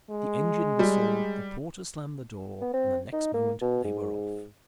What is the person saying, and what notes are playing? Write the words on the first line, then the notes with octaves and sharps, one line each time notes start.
The engine whistled, the porter slammed the door, and the next moment they were off.
G#3
G3
B3
C4
D#4
A#3
B2
G#2